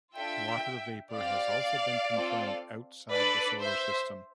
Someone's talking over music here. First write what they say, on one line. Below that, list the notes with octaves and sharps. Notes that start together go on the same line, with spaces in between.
Water vapor has also been confirmed outside the Solar System.
D4 F4 A4 E5 G5
C4 G4 D5 F5
C4 F4 A4
D4 A4 B4 D5
C5 E5